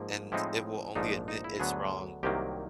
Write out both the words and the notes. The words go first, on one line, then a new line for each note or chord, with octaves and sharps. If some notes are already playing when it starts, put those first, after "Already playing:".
and it will only admit it's wrong
Already playing: G#2 F3 A#3
A2 F3 G#3 C4 D#4 E4
A#1 G#2 F3 A3 D4 D#4
D#4
E4
D2 D3 F#3 B3 G#4
C2 C3 D#3 F#3 A#3 G4